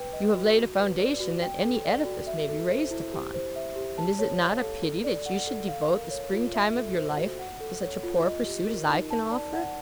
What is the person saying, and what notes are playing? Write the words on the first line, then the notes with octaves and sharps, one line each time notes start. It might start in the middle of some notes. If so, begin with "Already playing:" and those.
You have laid a foundation that any edifice may be raised upon; and is it not a pity that you should devote the spring-time of your life to such a poor pursuit as I can offer?'
Already playing: B4 G5
D#5
F#4
F#4
B4
D5
F#4
G5
A4
D5
F#4
E5
A4
C5
E4
G4
C5
E5
G4
A5
C#5
F5
A4
A4
D5
F#5
A4
F5
A#4
C#5
F4
E5
A4
C5
F#4
F#5
A4
C#5
F4
D#5
G4
A#4
D#4
A5
D5
F#5